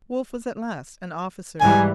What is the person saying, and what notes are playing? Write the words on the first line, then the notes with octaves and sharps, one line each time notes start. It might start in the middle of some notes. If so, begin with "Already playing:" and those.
Wolfe was at last an officer.
G#2 E3 G3 G#5